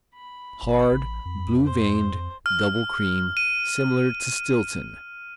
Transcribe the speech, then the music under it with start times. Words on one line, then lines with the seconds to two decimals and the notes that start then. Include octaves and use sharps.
Hard; blue-veined; double cream; similar to Stilton.
0.14 B5
0.62 G1
0.91 A1
1.25 F2
1.65 C5
2.46 F6
3.37 D#7